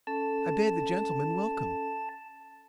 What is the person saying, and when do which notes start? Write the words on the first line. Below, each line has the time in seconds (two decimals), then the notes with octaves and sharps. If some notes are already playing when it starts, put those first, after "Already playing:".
I bade the gentlemen welcome.
0.07 C#4 A4 A5